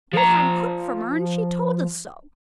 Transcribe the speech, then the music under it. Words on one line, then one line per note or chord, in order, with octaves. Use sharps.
We had cook from her, and she told us so.'
F3 A#5